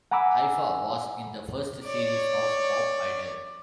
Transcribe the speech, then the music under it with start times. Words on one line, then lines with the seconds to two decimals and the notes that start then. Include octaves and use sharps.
Haifa was in the first series of Pop Idol.
0.11 F#5 G#5 A#5 B5 D6 E6
1.84 C#5 D5